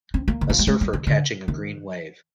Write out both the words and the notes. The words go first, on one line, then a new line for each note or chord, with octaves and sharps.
A surfer catching a green wave.
C4
A#3
D#3
F3
G3
G#3
G3
D#3
D3
D#3